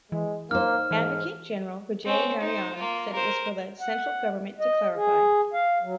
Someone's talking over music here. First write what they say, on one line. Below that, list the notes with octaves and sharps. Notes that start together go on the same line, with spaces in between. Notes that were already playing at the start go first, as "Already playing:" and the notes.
Advocate General Vijay Narayan said it was for the Central Government to clarify.
E3 G#3
A#3 D#4 C5 F6
G#2 E3
C4 C#4
D#4 C5
A#3 F4
A#4 C5
F#5
D#5
G#4
F5
F#3